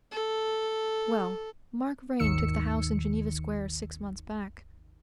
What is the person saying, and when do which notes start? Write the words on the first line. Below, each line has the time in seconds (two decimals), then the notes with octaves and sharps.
Well, Mark Vrain took the house in Geneva Square six months back.
0.12 A4
2.19 G#1 D#2 D#3 E6 C#7